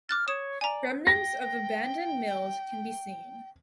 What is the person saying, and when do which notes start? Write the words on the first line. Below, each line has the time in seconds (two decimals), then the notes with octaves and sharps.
Remnants of abandoned mills can be seen.
0.09 D6 F6 F#6 A6
0.28 C#5 D#6 E7
0.61 D5 G#5 A#5
1.07 G5 A#6